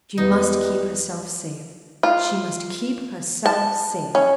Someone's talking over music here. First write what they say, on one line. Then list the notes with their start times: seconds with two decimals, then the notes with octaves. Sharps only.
She must keep herself safe--she must keep herself safe.
0.17 E2 G3 D#4 B4
2.03 F4
3.46 A5
4.15 C#4